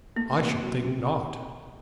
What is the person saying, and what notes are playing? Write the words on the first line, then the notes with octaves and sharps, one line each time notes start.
"I should think not."
A3 A#3
C3
F#3
C3